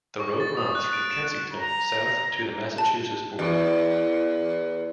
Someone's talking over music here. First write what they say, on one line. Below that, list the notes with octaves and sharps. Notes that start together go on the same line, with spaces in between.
The road runs from Kensington south to the Massachusetts border.
C#6
A6
D#6
F#6
D7
E7
A#5
A5
E2